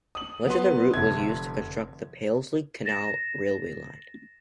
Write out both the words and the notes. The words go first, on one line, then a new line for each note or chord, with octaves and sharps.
Much of the route was used to construct the Paisley Canal railway line.
D#6 F#7
F#3 B3 B4 C6
F1 D3 E5 G#6
A6 A#6 E7